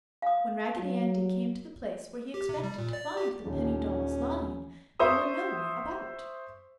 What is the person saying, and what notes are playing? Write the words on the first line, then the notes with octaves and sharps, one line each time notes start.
When Raggedy Andy came to the place where he expected to find the penny dolls lying, they were nowhere about.
F5 D#6
F#3
G4
C3
G3
A#2
D5
G4
D#1 D3 D#3 C#4
C5 E5 C#6 D#6